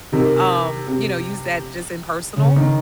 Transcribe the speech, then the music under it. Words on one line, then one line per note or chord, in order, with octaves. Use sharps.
um, you know, use that just in personal?
C3 D#3
C3
C#3
D#3